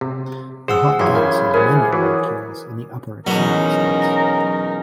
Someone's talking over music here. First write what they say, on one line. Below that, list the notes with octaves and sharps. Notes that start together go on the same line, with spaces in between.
The hot gas has many molecules in the upper excited states.
C3
G#4 C5 F#5 E6
F#2 C#3 E3 G4 C6 G#6
E4 A#4
C3 G#4 A#4 D5 F#5
E3 F#3
E2 B2 F#3 C#4 D#4 A#4